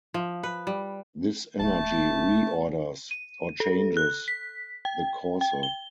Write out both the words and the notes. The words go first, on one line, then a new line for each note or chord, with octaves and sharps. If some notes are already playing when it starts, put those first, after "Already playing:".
This energy re-orders, or changes, the causal.
F3
B4
G3
D1 A3 A5
D#7
A4
F#6
B6
G5
G5
G7